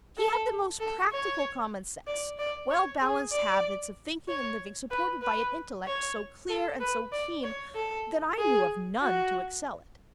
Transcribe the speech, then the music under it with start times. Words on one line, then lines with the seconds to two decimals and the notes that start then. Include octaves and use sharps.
He had the most practical common sense--well-balanced habits of thinking and living, supported by an intellect so clear and so keen that I knew of none to excel it.
0.17 A4
0.80 A4
1.12 C#5
2.07 D5
2.39 D5
2.70 C#5
3.01 G#4
3.32 D5
4.28 C#5
4.91 B4
5.22 B4
5.86 C#5
6.49 A4
6.80 B4
7.12 D5
7.43 C#5
7.75 A4
8.38 G#4
9.02 F#4